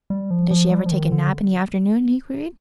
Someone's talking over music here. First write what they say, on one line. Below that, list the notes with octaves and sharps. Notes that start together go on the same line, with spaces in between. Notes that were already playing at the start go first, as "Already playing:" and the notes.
"Does she ever take a nap in the afternoon?" he queried.
G3
F3
F3
G3
F3
D#3
D3